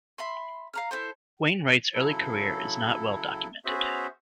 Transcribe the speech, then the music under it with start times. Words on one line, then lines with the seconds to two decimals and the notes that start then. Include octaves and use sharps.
Wainwright's early career is not well documented.
0.18 E5 B5 C6
0.74 F5 A#5 F6
0.91 E4 F#4 A4 C5
1.95 C#3 F#3 E4 A4
3.65 B3 C#4 F#4 G#4 C5 E5